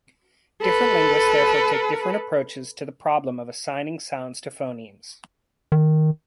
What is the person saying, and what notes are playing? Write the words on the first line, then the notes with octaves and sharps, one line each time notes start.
Different linguists therefore take different approaches to the problem of assigning sounds to phonemes.
A4 B4
D#3